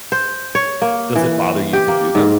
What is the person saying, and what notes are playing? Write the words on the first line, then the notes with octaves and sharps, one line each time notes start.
does it bother you to do them?
C5
C#5
A#3
E3
G4
A#3
G#2